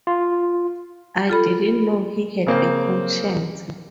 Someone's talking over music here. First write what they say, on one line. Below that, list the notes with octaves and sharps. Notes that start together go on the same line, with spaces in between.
I didn't know he had a conscience.
F4
F4 A4 B5
C#3 A#3 C4